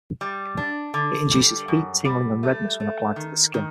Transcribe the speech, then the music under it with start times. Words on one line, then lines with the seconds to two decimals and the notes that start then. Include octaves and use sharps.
It induces heat, tingling and redness when applied to the skin.
0.21 G3
0.57 D4
0.94 D3
1.32 G3
1.68 F#2
2.05 G3
2.43 A3
2.80 A3
3.16 D#3
3.54 D#3